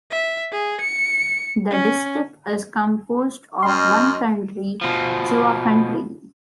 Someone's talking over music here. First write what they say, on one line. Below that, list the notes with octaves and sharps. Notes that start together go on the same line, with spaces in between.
The district is composed of one county: Chua County.
E5
G#4
C#7
C#4
F#2 D#5 C6 F6
B2 F3